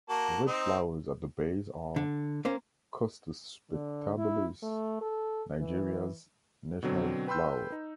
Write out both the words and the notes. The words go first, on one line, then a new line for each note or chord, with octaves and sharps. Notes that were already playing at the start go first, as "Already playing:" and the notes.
The red flowers at the base are "Costus spectabilis", Nigeria's national flower.
A#3 F#4 A5
C4 D#4
D3
A#3 C#4 C5
D3
E4
A3
A4
E3
B2 D3 F#3 C4
B4 G5 B5 C6 E6 G6
D#4